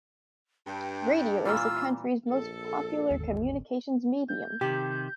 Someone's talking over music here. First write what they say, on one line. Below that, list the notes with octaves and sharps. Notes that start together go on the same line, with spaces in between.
Radio is the country's most popular communications medium.
G2 G5
A#2 E3 G3 F4 E6
A#1 A4
G1 D#2 G#2
G6
C3 D#3 G4